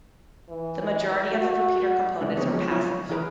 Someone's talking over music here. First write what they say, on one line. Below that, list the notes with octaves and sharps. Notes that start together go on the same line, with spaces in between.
The majority of the repeater components are passive.
E3
F#4
C#3 G#3 D4
D3 F3 B3 C4 G#4 C#5
F3 F#3
E4 F4 C#5
E3 E4 G#4 A#4 B4